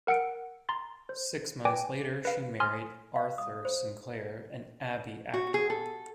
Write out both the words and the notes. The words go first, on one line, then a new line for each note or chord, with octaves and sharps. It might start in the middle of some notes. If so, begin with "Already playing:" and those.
Six months later she married Arthur Sinclair, an Abbey actor.
A#4 F#5 E6 C#7 D7
A#5 C6 A6
C5
B4 D5 G5 G#5 D6 A#6
B4 F5
G#5 C6 D#6 F6
F5
D#6
C5
F#4
G#4
A4